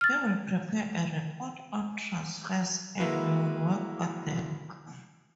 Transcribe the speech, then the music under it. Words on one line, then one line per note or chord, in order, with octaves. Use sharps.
He will prepare a report on transfers and we will work on them.
F6 A6
G#3 A#3 E4 F#4 B4